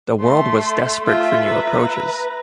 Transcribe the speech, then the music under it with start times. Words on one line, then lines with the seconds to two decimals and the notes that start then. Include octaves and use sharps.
The world was desperate for new approaches.
0.21 A3 C6
1.05 A3 F4 E5
1.45 B4 A#5